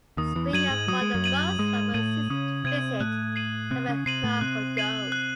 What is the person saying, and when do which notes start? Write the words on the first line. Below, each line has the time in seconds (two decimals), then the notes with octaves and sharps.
Spring and fall are the most favorable seasons to visit Tabernacle Dome.
0.17 D#2 D#3 D#6
0.35 E2 E3
0.53 F#2 F#3 G#6 D#7 F#7
0.70 G#2 G#3
0.88 F#3 D#6
1.02 G#3
1.14 F#2 F#3
1.24 G#6 D#7 F#7
1.58 G#2 G#3 D#6
1.94 A2 A3 G#6 D#7 F#7
2.30 C#3 C#4 D#6
2.64 C3 C4 G#6 D#7 F#7
3.00 A2 A3 F#6
3.36 C7 D#7 F#7
3.71 C3 C4 F#6
3.88 C#3 C#4
4.06 C3 C4 C7 D#7 F#7
4.23 A2 A3
4.41 C3 C4 F#6
4.77 C7 D#7 F#7
5.12 F#6